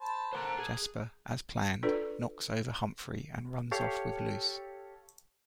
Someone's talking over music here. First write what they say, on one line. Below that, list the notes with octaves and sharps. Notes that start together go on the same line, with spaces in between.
Jasper, as planned, knocks over Humphrey and runs off with Luce.
C5 A5 B5
A#3 A4 C5 F#5 A5 A#5
G#4
D4 F4 A4 B4 D5
G4 A4 C#5 F5